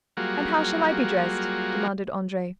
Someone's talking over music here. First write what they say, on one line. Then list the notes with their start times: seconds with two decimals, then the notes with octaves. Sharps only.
"And how shall I be dressed?" demanded Andrea.
0.17 F#3 G3 A#3 F4 F#4 G#4